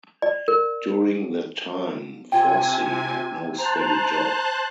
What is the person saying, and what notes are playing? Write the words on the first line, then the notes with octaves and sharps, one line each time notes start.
During that time Forssi had no steady job.
D5
A#4
C3 F4 G5 G#5
C5 A5 A#5 F#6